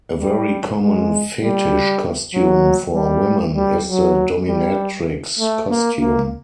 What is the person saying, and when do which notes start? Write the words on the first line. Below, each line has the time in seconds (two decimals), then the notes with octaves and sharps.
A very common fetish costume for women is the dominatrix costume.
0.19 G3
0.80 G#3
1.42 G3
2.34 F#3
2.95 G3
3.55 G3
3.87 F#3
4.48 G3
5.39 A3
5.70 A#3
6.00 A#3